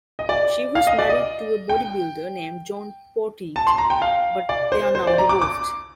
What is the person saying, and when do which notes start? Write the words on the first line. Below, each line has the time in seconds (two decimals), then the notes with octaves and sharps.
She was married to a bodybuilder named John Poteat, but they are now divorced.
0.19 D#5
0.29 D5
0.75 F5
0.87 D#5
0.99 D5
1.10 D#5
1.69 G5
3.56 A5
3.67 C6
3.78 A#5
3.90 G5
4.02 F5
4.49 D5
4.72 C5
4.95 C5
5.07 D5
5.18 A#5
5.29 D6
5.41 D6